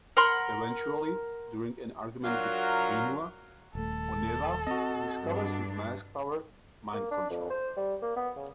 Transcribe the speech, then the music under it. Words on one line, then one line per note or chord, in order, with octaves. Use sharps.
Eventually, during an argument with Whenua, Onewa discovers his mask power, mind-control.
A#4 F#5 C6
F#3 D4 F4 F#4 A#4
D#1 A3 A4
C4 F#4 D#5
G2 D4
A#3
D4
F2
C5
G3
A#3
B3
C#3